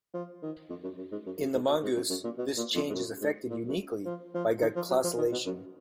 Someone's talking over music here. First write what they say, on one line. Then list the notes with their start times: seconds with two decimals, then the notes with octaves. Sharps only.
In the mongoose, this change is effected uniquely, by glycosylation.
0.14 F3
0.42 D#3
0.70 F2
0.84 F#2
0.97 F#2
1.12 G#2
1.26 F#2
1.40 F#2
1.54 G#2
1.68 B2
1.83 G#2
1.95 F#2
2.10 F#2
2.24 A#2
2.38 B2
2.57 A#2
2.75 F2
2.90 G#2
2.94 F#2
3.22 G#2
3.50 A#2
3.68 F#2
4.05 F3
4.34 F3
4.62 D#3
4.76 F3
4.90 F#3
5.04 F3
5.17 D#3
5.32 B2
5.46 F#2